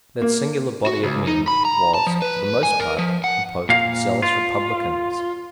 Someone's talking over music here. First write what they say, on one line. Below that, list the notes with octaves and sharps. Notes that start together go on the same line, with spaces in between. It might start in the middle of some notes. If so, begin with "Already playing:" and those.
That singular body of men was, for the most part, composed of zealous republicans.
A#3
F#4
C#2
D#4
B5
A#5
A5
F3
B4
G#5
A#4
F3
F#5
A#2 F5
F4